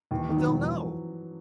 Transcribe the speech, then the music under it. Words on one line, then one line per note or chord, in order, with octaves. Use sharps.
"But they'll know...."
D#2 E3
D#3
F#3
E1 F3
E3